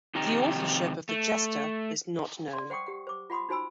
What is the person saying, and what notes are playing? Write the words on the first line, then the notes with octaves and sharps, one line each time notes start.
The authorship of the "Gesta "is not known.
F2 C3 D#3 D#4 G4 A#5
A3
D5 C6
C5 F#5 G5 C#6 D#6
G4 F#5
C5 D6
F4 F#5 B5 C6 D#6
D#4 F#4 C5 G#5 B5 E6